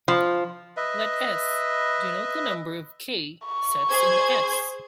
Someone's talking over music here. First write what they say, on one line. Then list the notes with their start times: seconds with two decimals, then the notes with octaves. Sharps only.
Let "s" denote the number of "k"-sets in "S".
0.08 F3
0.77 B4 D#5 E5
3.46 C#6
3.90 G#4 C5 G#6